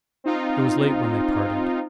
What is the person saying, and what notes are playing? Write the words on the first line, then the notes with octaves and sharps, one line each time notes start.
It was late when they parted.
C4 D#4 F4